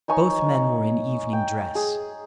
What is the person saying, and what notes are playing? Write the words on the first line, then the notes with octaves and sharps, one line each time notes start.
Both men were in evening dress.
D#4 C#5 G#5 C#6
G5
G#4